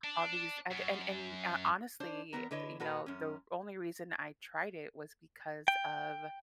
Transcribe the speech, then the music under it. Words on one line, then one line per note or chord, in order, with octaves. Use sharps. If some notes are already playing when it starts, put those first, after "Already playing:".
all these oth and and, uh honestly, you know, the only reason I tried it was because of
D4
F#2
D4 C5 C#5
E2 A#2 B3 A#4
D3 E4 B4 C#5 D#5
A#2 F#4 A4 B4
F#2 C#4
G5